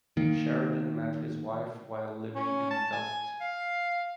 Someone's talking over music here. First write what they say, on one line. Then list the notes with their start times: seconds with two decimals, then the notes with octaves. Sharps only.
Sheridan met his wife while living in Delft.
0.17 D#3 A#3
2.35 C#4
2.71 A5
2.92 G#5
3.41 F5